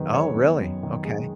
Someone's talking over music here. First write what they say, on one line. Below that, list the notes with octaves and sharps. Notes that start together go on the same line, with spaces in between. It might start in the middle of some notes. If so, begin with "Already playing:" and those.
Oh, really? Okay.
Already playing: F#2 D#3 B3 G#4 B4
G#3 C#5
B3
F#2
D#3
G#3